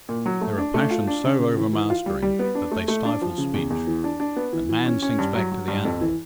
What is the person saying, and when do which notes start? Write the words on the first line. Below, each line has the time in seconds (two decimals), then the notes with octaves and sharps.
There are passions so overmastering that they stifle speech, and man sinks back to the animal.
0.09 A#2
0.26 F#3
0.41 A3
0.58 D4
0.74 A3
0.91 F4
1.07 D4
1.24 C#3
1.40 C#3
1.57 E3
1.73 E3
1.90 F4
2.06 G3
2.22 G3
2.39 B3
2.55 D4
2.72 A3
2.88 A3
3.05 D4
3.22 F3
3.38 C#3
3.54 E2
3.70 E2
3.87 E3
4.04 D4
4.20 D4
4.36 B3
4.53 E3
4.69 E3
4.86 C#4
5.02 C#4
5.19 G2
5.35 F#3
5.52 F#3
5.68 G2
5.85 F2
6.01 E3